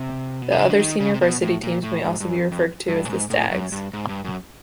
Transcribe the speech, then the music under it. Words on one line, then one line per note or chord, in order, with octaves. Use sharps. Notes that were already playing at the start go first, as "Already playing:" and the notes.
The other senior varsity teams may also be referred to as the Stags.
Already playing: C3
B2
C3
C#3
D3
D#3
C#3
C3
B2
A2
A#2
A2
G#2
G2
F#2
F2
F2
G2
A2
G#2
A2
F#2
G2
G#2
G2
F#2